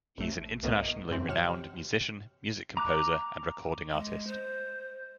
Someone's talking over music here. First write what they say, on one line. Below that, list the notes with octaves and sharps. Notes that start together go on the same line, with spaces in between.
He is an internationally renowned musician, music composer, and recording artist.
A1 A3
B1 A2 A#3 B3 D#5
F#2 E3 C4
C3 F#3 C#5 F#5 F6 E7
A#5 D6 F#6
G#3
C5